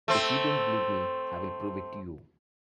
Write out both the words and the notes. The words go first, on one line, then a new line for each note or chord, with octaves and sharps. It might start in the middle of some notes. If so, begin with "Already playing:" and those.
If you don't believe me, I'll prove it to you!
A3 C4